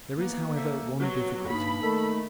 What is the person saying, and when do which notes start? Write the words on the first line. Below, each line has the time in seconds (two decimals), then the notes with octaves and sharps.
There is, however, one difficulty.
0.18 A#3 B3
0.56 A4 C5 E5
1.00 F#3 B3 G4
1.49 G2 A#3 D#4 B5
1.82 D#3 A3 A4